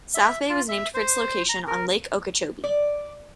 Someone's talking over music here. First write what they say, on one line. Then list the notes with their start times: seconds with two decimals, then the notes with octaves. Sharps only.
South Bay was named for its location on Lake Okeechobee.
0.14 E5
0.49 F4
0.68 E5
0.94 C5
1.49 A#5
1.67 A#4
2.64 D5